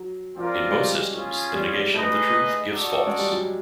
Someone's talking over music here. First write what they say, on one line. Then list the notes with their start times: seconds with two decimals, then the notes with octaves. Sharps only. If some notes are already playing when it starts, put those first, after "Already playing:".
In both systems the negation of the truth gives false.
Already playing: F#3
0.35 F3 C4 F4 A#4 D5
0.56 F#3
0.70 G#3
0.75 G3
1.15 C#4 F4 G#4
1.54 G3
1.74 G3
1.94 A3 D#4 G#4 B4 D#5
2.73 D#4 F#4 A4 D5
3.07 G#3
3.19 G3
3.32 F#3